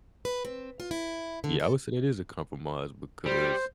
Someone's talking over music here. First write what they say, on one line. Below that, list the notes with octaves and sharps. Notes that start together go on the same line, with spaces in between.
Yeah, I would say it is a compromise because,
B4
C4
F4
E4
D3
A4
G3 C5